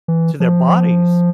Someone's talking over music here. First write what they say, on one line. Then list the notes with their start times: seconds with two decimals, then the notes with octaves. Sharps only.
to their bodies?
0.08 E3
0.40 F3